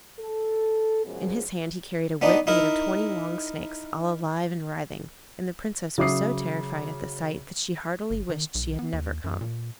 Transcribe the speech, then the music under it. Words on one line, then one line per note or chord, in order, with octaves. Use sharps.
In his hand he carried a whip made of twenty long snakes, all alive and writhing, and the Princess was so terrified at the sight that she heartily wished she had never come.
A4
F#2 B2 F3 G#3 B3 G#4
B3 D4 D#4
D#4 E4 A#4
C#3 F#3 E5 D6 D#6 C7
G1
D#3
B1
B3
D#2
F#2
A#2